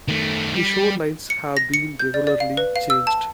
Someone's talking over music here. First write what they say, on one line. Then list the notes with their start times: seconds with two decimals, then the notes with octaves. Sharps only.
The shorelines have been regularly changed.
0.08 D#3 A3
0.55 G3
1.30 C#7
1.57 A#6
1.74 C#7
1.99 G6
2.14 D5
2.27 D5
2.40 F5
2.57 B4
2.76 F5
2.90 E6
3.07 A5